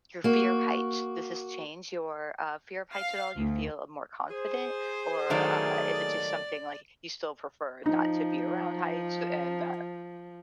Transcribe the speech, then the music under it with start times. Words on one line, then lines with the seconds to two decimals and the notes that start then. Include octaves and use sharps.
your fear of heights. Does this change your uh, fear of heights at all? Do you feel a more confident or uh, is it just something like you still prefer not to be around heights and, uh
0.24 A#3 F#4
2.97 F5
3.36 D2
4.29 G#4 C5
5.30 D#3 F#3 A3 D5
7.86 F3 D#4